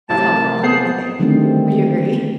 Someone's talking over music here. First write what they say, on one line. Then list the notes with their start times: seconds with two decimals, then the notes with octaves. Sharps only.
it's helpful, I think. Would you agree?
0.10 A2 C3 A#3 A5
0.63 B3 G#4 C5 C7
1.20 D3 D#3 F#3 G3 A3 C4